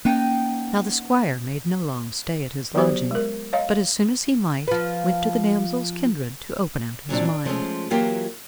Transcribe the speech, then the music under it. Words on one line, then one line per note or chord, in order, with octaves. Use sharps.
Now the squire made no long stay at his lodging, but as soon as he might, went to the damsel's kindred to open out his mind.
A#3 B3 C#4 D#4 G5
F#3 B3 F#4 G4 C5
G#3 A#4
C#5 D#5 F5
F3 B4
A#2 F#3 C4 D4
D4
F3 G#3 A3 C#4
E3 F#3 A#3 F4 G4